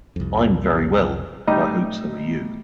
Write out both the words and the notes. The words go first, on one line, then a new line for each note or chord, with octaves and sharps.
I’m very well, and I hope so are you.
C2 F2
G3 A3 D#4 D#5